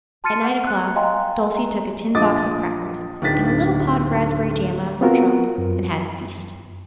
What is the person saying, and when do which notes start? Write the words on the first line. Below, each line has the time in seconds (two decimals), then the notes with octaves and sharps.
At nine o'clock Dulcie took a tin box of crackers and a little pot of raspberry jam out of her trunk, and had a feast.
0.24 A5 C6 F6 A6 C#7 D#7
0.44 F#5
0.67 F#6
0.96 D#5 F5 G5 G#5 A#5 C6
1.57 A#5
2.15 A#1 F3 D#5 D6 D#6 A6
3.22 D1 D3 D#3 A6 B6
5.01 B3 C4 F4 F#4 A#4
5.58 F#2